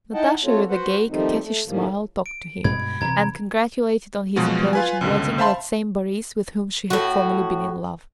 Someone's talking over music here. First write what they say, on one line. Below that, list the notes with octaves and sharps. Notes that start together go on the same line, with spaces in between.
Natasha with a gay, coquettish smile talked to him, and congratulated on his approaching wedding that same Boris with whom she had formerly been in love.
D#4 E4 D#5 F#5 G5 A5
A3 C4 F4 F#4 A4 C#5
F#4 B4 C5 F#5
D#3 F3 G3 A3 C4 D#4
A3
A2 D#3 F3 G3 A#3
D7
G2 B2 G#3 B5 G#6
E2 C3 E3 A#5 G#6
B2 F3 F#3 G#3 B3 F#4
F4 B4 G#5
C#2 F#2 B2 D3
C5 E5 F5 A5 B5 C6
A2 F#4